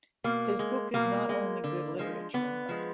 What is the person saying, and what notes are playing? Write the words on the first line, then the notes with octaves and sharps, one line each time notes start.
His book is not only good literature.
B2 A#3
G#3
B2 A#3
G#3
D3
F3 G#3
D3 B3
F3 G#3